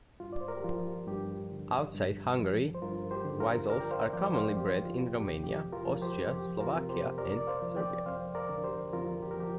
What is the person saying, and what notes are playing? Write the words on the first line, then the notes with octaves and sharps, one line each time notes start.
Outside Hungary, vizslas are commonly bred in Romania, Austria, Slovakia, and Serbia.
G2 F4
D5
C5
A#4
G4
F3 F4
G2 G4
D3
G2
F3
C5
G2 F4 A#4
G4 C5
D3
F4 A#4
F2 A#4 D5
G5
C5 F5
F3 D5 G5
C5 F5
F2 G4
F4
C3
G4
F2 G4
F4 A#4
F3
G4 C5
F2 G4
F4 A#4
C3
G4 C5
F2 A#4 D5
D5
C5 F5
F3
D5 G5
F2 C5 F5
A#4 D5
D3
G4 C5
F2 F4 A#4
G4
A#4
F3 G4